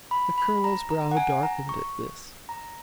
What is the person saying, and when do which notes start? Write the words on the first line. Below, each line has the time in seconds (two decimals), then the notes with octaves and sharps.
The Colonel's brow darkened at this.
0.11 B5
0.38 B5
0.64 A#5
0.91 A#5
1.11 F#5
1.17 G#5
1.43 A#5
1.69 C#6
2.49 A#5